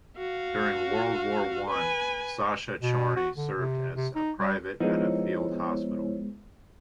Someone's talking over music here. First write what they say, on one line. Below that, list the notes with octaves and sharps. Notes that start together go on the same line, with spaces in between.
During World War One, Sasha Chorny served as a private at a field hospital.
F#4 F5
B4 G#5
B2
F#4
D3
C3
C3
D#4
G3
F3 G#3 B3 D#4 E4 C5 C#5